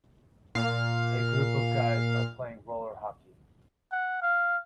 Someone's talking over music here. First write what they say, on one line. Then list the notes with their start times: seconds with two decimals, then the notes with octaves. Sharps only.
A group of guys are playing roller hockey.
0.55 A#2 F5
3.92 F#5
4.22 F5